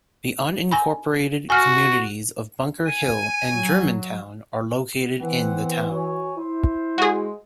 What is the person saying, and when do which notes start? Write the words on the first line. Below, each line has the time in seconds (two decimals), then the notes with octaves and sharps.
The unincorporated communities of Bunker Hill and Germantown are located in the town.
0.71 G#5 B5
1.50 F#4 G#5 F6
2.86 G#5 D#7
3.55 F#3
5.20 E3 B3 C4 F#5
5.90 F#4 C#5 G#5
6.36 E4 C5
6.98 G#3 F#4 G#4